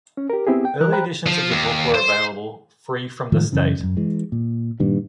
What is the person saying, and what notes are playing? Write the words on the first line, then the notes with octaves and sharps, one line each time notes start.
Early editions of the book were available free from the State.
C#4
G4 A#4
B3 C4 E4 G4 G#4
G5
E3 A#4 F#6
C5 G5 A#5 B5 F#6
F3
D#2
C5
A2 D#3 F3 G#3
F#2 C#3 E3
E1 F#2
E3 G#3
A#2
G2 A#2 D#3